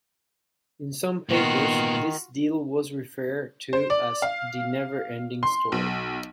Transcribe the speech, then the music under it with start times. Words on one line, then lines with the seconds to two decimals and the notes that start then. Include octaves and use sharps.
In some papers, this deal was referred to as The never ending story.
1.29 A#2 D#3 B3 F4 F#4
3.73 C5
3.90 D5
4.22 F5
5.43 C6
5.72 B1